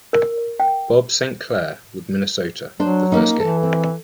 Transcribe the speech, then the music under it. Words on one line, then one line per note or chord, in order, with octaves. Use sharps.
Bob Saint Clair, with Minnesota, the first game.
A#4
G5
F#3 D4 C5
A#3 C#4 D#4
E3 A4
C4